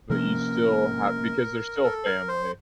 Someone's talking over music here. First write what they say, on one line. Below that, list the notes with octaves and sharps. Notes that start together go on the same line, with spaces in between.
but you still ha because they're still family.
C3 F3 A#3 C#4 A#4
A4
A#4
C5